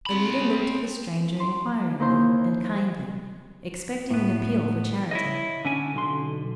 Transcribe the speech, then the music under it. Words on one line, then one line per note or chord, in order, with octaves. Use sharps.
Alida looked at the stranger inquiringly and kindly, expecting an appeal for charity.
C4 B5
C6
D#2 A#3 E4 C5 C6 G6
A2 B3
E4 C#5 D#5
D3 C#4 G#5
B1 D3 C6